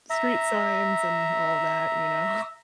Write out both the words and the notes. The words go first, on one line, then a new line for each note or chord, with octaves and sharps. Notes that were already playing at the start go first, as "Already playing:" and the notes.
street signs and all that, you know.
E5 A#5